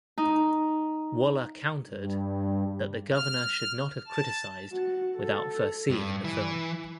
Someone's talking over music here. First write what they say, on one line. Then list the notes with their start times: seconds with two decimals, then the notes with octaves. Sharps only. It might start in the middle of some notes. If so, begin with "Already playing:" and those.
Waller countered that the Governor should not have criticized without first seeing the film.
0.18 D#4
1.88 G2
3.11 F6
4.06 A5
4.73 F#4
5.17 A4
5.90 G2
6.24 E3